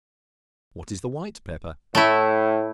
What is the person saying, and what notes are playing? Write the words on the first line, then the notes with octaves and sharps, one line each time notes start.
What is the White Pepper?
A2 A3 E4